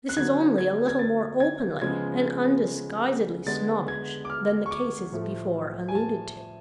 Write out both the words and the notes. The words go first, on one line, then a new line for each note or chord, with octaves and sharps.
This is only a little more openly and undisguisedly snobbish than the cases before alluded to.
F#6
D3 F#3 B3 G#6
G#6
G#6
A6
G#6
C#3 F3 G#3 B3 G#6
D3 G#3 B3 A6
G#6
D6
F6
C#6
D6
A2 F3 A3
G#5
A5